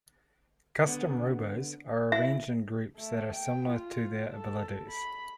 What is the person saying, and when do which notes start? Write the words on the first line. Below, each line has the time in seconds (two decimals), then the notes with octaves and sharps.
Custom Robos are arranged in groups that are similar to their abilities.
0.86 D3 B3
2.12 E4 E5
2.97 A3
3.35 G5
3.70 F4
4.33 A4
4.90 B5